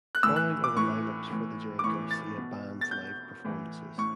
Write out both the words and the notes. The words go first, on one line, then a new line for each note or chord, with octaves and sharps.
Following are the lineups for the Jerry Garcia Band's live performances.
F#6
A2 E3 E6
F#6
D6
A2 E3 C#6
A2 E3
D6
A2 E3 C#6
A6
B2
A6
B2 G6
A2 E3
A2 C#6